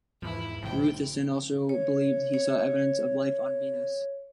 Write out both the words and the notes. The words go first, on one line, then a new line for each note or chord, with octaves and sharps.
Gruithuisen also believed he saw evidence of life on Venus.
E2 G#2 E3 F3 E4 B5
A1 A2 C3 F3 G5
C#5
C#5